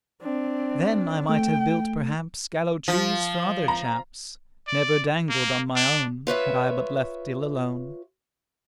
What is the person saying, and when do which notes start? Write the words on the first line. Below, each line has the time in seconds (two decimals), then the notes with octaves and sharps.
"Then I might have built perhaps Gallows-trees for other chaps, Never dangled on my own, Had I but left ill alone."
0.22 C4 D4
1.29 A3 G5
2.88 F3
3.68 A#5
4.68 D5
5.29 A#3
5.76 D4
6.27 F4 B4 C#5 E5